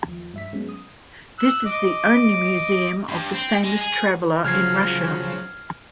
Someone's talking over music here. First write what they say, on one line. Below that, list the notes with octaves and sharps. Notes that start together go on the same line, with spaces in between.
This is the only museum of the famous traveler in Russia.
D#2 F3
G2 E5 B6
F#3 G#3 B3 C#4
D#6
E6 F#6
D#5 D6
G2
C4
G#3
G#4
C#3 F3 F#3 F6 G#6 C7